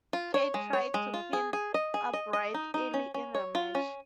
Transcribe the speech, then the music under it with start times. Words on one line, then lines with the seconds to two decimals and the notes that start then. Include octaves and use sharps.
Cade tried to pin Albright early in the match.
0.13 F4
0.34 C#5
0.54 G#3
0.73 C#5
0.94 G#3
1.14 F4
1.33 G#4
1.53 G#4
1.74 D#5
1.94 G#4
2.13 D#5
2.33 D#5
2.54 D#4
2.74 D#4
2.94 C#4
3.14 C#4
3.35 C#5
3.55 F4
3.75 C#4